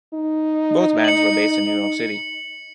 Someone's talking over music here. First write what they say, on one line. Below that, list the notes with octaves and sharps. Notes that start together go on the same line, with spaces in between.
Both bands were based in New York City.
D#4
C#7 F#7